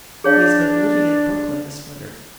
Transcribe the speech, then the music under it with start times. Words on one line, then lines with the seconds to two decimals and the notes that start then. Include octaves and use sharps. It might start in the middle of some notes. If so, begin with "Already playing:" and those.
He has been living in Brooklyn this winter.
0.24 D4 G#4 C#5 F5